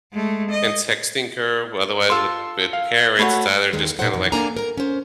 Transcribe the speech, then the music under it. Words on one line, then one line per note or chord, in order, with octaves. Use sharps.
and texting her, otherwise with with parents, it's either just kinda, like,
G#3 A3
D#5
F4 A4 C6 E6
F5
A3 F#4 B4 C#5 F#5
D#2 D#3 G#3 A3
A#2 A3 D#4 A4 C5 F#5
F2 D#3 E3
F2 A#3 D4 A4 G#5 A#5
A#4 A#5
C#4 C5